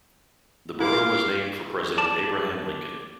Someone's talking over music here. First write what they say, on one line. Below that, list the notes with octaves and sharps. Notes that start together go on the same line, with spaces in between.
The borough was named for President Abraham Lincoln.
E4 F5 D6
D5 A5